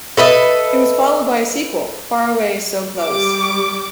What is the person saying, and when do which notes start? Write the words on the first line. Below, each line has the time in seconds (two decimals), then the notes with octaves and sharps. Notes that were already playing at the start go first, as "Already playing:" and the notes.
It was followed by a sequel, Faraway, So Close!
0.17 A4 B4 D#5 E5
3.01 G3 D6